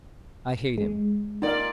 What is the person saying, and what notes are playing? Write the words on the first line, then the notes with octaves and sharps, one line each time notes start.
I hate him!
G#3
A#2 D#4 A#4 D5 F5